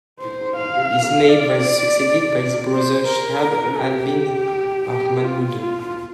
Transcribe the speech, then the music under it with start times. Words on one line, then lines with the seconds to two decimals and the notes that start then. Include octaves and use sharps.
Ismail was succeeded by his brother Shihab ad-Din Mahmud.
0.20 C5
0.56 F5
1.28 D5
2.72 C5
3.08 A#4
3.80 G4
4.88 G4
5.24 F4
5.60 F4